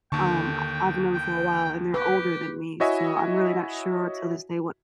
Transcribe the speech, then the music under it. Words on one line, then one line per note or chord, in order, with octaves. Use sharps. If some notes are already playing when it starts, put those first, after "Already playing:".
um, I I've known for a while, and they're older than me so I'm really not sure till this day what
D#2 D3 G5 A5 C#6
G5
G4 B4
E4 F#4 C#5 D#5 E5 G#5